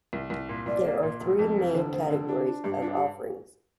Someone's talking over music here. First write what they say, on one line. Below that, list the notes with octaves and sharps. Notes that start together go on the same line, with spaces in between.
There are three main categories of offerings.
C2
C2
A#2
C2 D5
A#3
A#2
F1
F2
F1
D3 C5
F1 C5
D3 A#4
D4 G4
D4 F4
G2 G4
D4 F4
G4